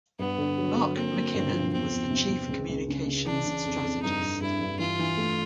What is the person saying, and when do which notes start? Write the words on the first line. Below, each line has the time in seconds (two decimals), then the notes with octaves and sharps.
Mark McKinnon was the chief communications strategist.
0.19 G2 B3
0.38 D3
0.58 F#3
0.76 D3
0.96 A#3 C4
1.14 A#3
1.34 G2
1.53 F3
1.73 E2 C4
1.92 E2
2.10 C3
2.30 C3
2.49 C#2
2.69 C#2
2.88 C#3
3.06 C#3
3.26 E3 D4
3.46 C#3
3.65 F2
3.84 F2
4.02 G2 D#4
4.22 G2
4.41 G2 E4
4.61 G2
4.79 E3 F4
4.99 E3
5.17 A3